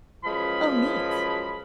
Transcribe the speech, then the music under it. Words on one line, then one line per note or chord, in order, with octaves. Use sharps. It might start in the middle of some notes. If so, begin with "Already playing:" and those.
Oh, neat.
F#2 F3 F#3 G#3 B4 B5